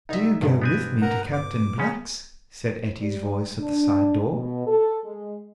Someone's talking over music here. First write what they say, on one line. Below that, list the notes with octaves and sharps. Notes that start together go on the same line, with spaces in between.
"Do go with me to Captain Black's," said Etty's voice at the side door.
C2 D#4 E5
E2 G2 B2
B3 C4 G#5
A#4 F#5 A#5
D6
F#2 C#3 C#4 G#4
G3
D4
B2
A4
G#3